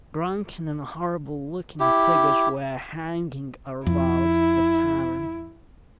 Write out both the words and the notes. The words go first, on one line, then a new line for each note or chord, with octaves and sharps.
Drunken and horrible-looking figures were hanging about the tavern.
E4 G4
F2 E4